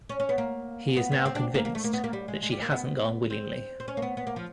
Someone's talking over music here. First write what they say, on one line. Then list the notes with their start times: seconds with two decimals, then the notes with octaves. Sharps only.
He is now convinced that she hasn't gone willingly.
0.09 C#4
0.20 C#4
0.29 B3
0.38 A#3
0.97 B3
1.12 B3
1.26 C4
1.35 D4
1.54 A#3
1.65 A#3
1.75 A3
1.84 A#3
1.93 B3
2.04 A#3
2.13 G3
2.28 G#3
2.42 G#3
2.52 G3
2.62 A#3
2.71 B3
3.30 C4
3.80 C4
3.88 C#4
3.97 A#3
4.02 B3
4.17 B3
4.27 A#3
4.36 F3